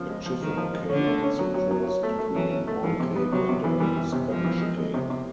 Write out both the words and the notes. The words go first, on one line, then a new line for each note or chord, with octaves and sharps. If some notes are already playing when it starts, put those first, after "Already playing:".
A chiffon cake is a cross between an oil cake and a sponge cake.
Already playing: C#3 F3
G#3
F3
D#3 G#3
F3
G#3
D3 C#4
A3
C#4
F#3
F#3
F#3
F#3
A3
A3
E3 F#3
C#4
A3
E3 F3
C3
B3
C3 F#3
C3
E3
E3 G3
E3
C3
F3 G#3
E3
G#3
G#3
C3
C3